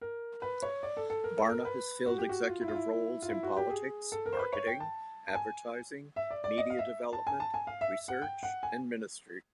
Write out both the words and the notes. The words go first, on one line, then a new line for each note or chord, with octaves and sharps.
Barna has filled executive roles in politics, marketing, advertising, media development, research and ministry.
A#4
B4
C#5
D5
A4
A4
A#4
A4
A#4
B4
F#4
G4
F#4
F4
E4
F4
E4
F4
E4
F#4
G4
G#4
A4
A#4
C5
B4
C#5
G5
A5
A5
G#5
E5
D5
D5
D#5
F5
E5
A5
G#5
A5
G#5
F5
E5
F#5
G5
F#5
G#5